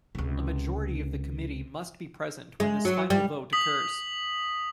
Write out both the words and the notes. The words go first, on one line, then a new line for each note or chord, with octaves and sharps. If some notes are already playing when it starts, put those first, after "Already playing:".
A majority of the committee must be present when this final vote occurs.
C#2 C3
G#3
F#3
G3
D#6 B6 F#7